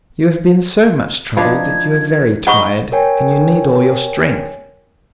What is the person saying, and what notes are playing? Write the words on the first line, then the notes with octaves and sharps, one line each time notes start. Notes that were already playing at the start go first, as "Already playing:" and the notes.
"You have been so much troubled that you are very tired, and you need all your strength."
F3 D4 D#4 B5 G#6
D#4 F#5 B5 C#6 G7
A#4 C#5 G5 G#5